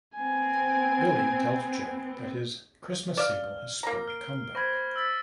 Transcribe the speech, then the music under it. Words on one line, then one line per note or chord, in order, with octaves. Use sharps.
Billy tells Joe that his Christmas single has spurred a comeback.
B3 C4 G#5
D5 F5 F6
A#3 A#5
F6 C7 D7
C5 B5 C#6 G#6 A#6
E6 A6 B6